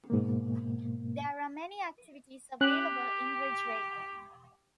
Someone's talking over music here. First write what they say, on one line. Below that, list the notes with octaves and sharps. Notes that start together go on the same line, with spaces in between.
There are many activities available in Ridgway.
G#2 B2 A#3
C#4 G4 F#6